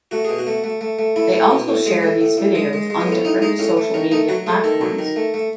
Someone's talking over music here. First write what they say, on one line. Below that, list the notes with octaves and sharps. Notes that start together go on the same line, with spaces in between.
They also share these videos on different social media platforms.
A3 F#4
B2 G#4
F#4
A3
A3
A3
A3
A3 E4
A3
B2
A2
G#3
A2
A2
A2
G#3
G#3
G#3
B3
A2 C#4
A2 D#4
G#3 D#4
A2 C#4
A3
D#3 C#4
A3 D#4
F#3 F#4
A3 G#4
D#3 A4
F#3
D#3
A3
A3